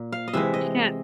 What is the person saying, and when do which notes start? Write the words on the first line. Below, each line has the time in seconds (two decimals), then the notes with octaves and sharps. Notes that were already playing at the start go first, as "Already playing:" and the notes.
You can't.
Already playing: A#2
0.12 F5
0.28 D#5
0.33 C3 E3 G#3 E5
0.54 D#5